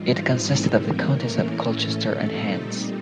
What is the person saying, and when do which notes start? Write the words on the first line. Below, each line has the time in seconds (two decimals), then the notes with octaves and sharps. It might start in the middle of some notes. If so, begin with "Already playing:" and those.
It consisted of the counties of Colchester and Hants.
Already playing: G#2 E3 G3 C4 D#4 F4
0.41 A3 A4
0.70 A#3 A#4
1.00 A2 E3 A3 A#3 C#4 A#4
1.58 A3 A4
2.17 A#2 G3 C4 D#4